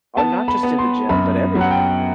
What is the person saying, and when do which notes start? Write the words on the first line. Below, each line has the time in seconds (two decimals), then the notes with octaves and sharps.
Oh, not just in the gym, but everywhere.
0.17 B3 A5
0.48 B5
0.63 B3
0.78 C6
1.09 F#2 B5
1.55 F#3
1.61 F#5
1.71 G5